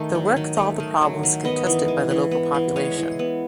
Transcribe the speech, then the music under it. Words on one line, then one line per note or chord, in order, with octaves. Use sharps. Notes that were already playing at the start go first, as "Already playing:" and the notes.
The work solved the problems contested by the local population.
Already playing: D#3 A3
F#3
D#3
A3
D#3
F#3
D#3
B3 D#5
E3
G#3
E3
B3
E3
G#3 C#5
E3
B3